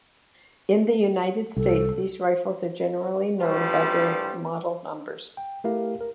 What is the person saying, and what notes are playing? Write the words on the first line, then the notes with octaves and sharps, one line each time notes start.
In the United States, these rifles are generally known by their model numbers.
C2 A4
A#1 A2 F3 G3 B4
G5
A3 E4 G4 A#4 F5
A#4